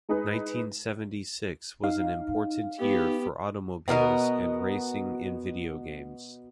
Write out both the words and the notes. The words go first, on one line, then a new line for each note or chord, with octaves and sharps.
Nineteen seventy-six was an important year for automobiles and racing in video games.
G#3 D#4 G#4 B4
D#4 F5
B3 G4
B2 B3 A#4 D#5